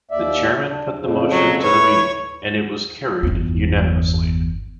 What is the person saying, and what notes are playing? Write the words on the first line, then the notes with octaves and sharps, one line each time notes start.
The chairman put the motion to the meeting and it was carried unanimously.
D#2 D5 E5
D4
F2 C#3 F3
F#3
A2 B4 C#5
G1 E2